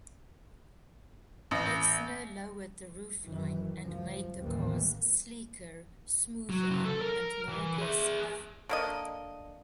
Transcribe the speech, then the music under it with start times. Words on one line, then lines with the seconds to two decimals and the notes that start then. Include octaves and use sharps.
Exner lowered the roofline and made the cars sleeker, smoother and more aggressive.
1.51 A1
3.23 F#2 D#3 E3
3.78 C#2 F#2 F3
4.40 A1 D#2 E3 G3 A#3 B3
6.50 F#3
6.70 C#3 F#3
6.85 A4
7.01 A#4
7.49 E3
7.78 G#4 E5
8.69 D3 A#3 D#5